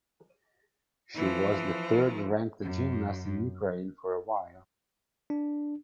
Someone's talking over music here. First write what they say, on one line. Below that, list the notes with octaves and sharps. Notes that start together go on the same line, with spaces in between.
She was the third-ranked gymnast in Ukraine for a while.
E3 F3
F#2
D4